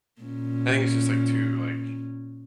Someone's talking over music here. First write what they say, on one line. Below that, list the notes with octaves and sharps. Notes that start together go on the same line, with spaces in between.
I think it's just, like, too, like
A#2 C#4